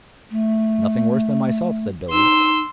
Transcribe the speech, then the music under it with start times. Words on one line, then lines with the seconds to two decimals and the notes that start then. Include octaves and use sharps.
"Nothing worse than myself," said Billy.
0.31 A3
2.11 D#4 C6 E6